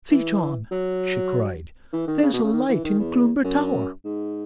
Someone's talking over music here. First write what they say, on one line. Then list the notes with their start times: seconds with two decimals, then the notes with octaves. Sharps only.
"See, John," she cried, "there is a light in Cloomber Tower!"
0.11 E3
0.71 F#3
1.93 E3
2.08 D#3
2.23 C#3
2.33 B2
2.43 C#3
2.53 D#3
2.69 E3
2.84 D#3
2.99 E2
3.44 F#2
4.05 G#2